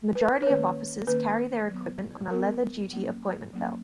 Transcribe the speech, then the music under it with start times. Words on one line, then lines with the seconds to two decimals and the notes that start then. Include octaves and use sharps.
The majority of officers carry their equipment on a leather duty appointment belt.
0.15 B4
0.42 C#5
0.46 D#3 A#3 C#4 B4
1.07 D#3 A#3 C#4 B4
1.69 F#3 B3
2.30 F#3 B3 A#4
2.92 F#3 A#3 C#4
3.53 F#3 A#3 C#4